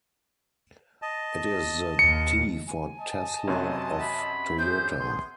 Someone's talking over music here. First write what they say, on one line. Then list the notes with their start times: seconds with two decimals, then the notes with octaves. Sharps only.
It is the T for Tesla of Toyota.
1.02 D#5 A5
1.99 D#2 C#7
2.67 G#5
2.98 D#5 A5
3.48 F#2 C3 F#3
4.00 B5
4.58 C#4 D4 G#4 C5 G6
5.00 B3 G#4 C6